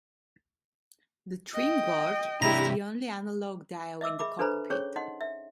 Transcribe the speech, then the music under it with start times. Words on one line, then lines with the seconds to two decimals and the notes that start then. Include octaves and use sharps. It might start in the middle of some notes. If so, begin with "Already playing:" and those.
The trim gauge is the only analogue dial in the cockpit.
1.54 D#5 G5
2.42 C3 D4 E4 G4 A#5
4.01 D#5 E5 D6 E6
4.19 G#4 E5 B5 D6
4.39 D4 A4 B4 C5 A#5 B5
4.70 C#4 G#4 C5 C#5 C#6
4.96 D#4 D#5 F#5 C6
5.21 E5